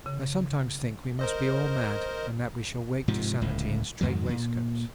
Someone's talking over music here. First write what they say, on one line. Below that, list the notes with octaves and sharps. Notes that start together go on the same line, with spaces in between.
I sometimes think we must be all mad and that we shall wake to sanity in strait-waistcoats.
C#3
A#4 C5 D#5
G#2 C3 F3
D1 C#2 A2
F2 G#2 D#3 F#3
A#2